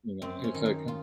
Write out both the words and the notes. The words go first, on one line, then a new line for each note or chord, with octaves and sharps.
you know, it's like, "Huh."
F#2 C4
C#4
D#3
D#4
F4